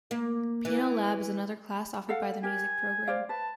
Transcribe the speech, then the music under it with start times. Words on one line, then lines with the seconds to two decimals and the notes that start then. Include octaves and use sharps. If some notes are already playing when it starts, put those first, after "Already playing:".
Piano Lab is another class offered by the music program.
0.11 A#3
0.65 E3
2.09 A4 F5 F#5
2.43 G4 A#4 G#5
3.07 C5 D5 F5
3.29 B4 A5